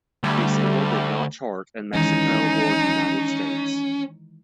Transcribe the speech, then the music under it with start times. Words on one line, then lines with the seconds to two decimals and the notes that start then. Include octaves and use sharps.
The single did not chart in Mexico or United States.
0.23 D2 D3 G3 A3
1.94 D#3 E3 G#3 C#4 D#4